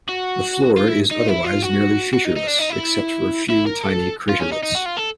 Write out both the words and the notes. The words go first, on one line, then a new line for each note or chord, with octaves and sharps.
The floor is otherwise nearly featureless, except for a few tiny craterlets.
F#4
F4
E4
D#4
E4
F4
F#4
F#4
D#4
D#4
D4
D#4
E4
E4
A#4
A4
F4
C#4
D#4
D#4
F#4
F4
A4